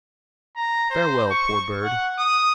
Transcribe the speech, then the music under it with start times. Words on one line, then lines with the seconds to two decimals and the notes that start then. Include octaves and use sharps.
Farewell, poor bird!
0.57 A#5
0.90 C5
1.31 C#6
1.84 F#5
2.18 D#6